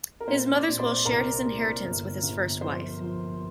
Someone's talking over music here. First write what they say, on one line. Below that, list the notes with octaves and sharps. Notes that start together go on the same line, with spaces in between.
His mother's will shared his inheritance with his first wife.
A#4
A#2 C4 C5
D4 D5
A#2
C5 C6
C2 A#4 A#5
A#3
G1
G1
F3 C5 C6
F3